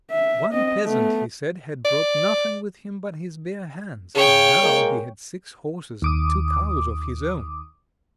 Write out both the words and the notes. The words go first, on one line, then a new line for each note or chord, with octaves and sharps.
One peasant, he said, had brought nothing with him but his bare hands, and now he had six horses and two cows of his own.
E5
C4 D#5
A3 B3
D5
C#3 C#5 G5
G#3 A#3
D#2 D6 D#6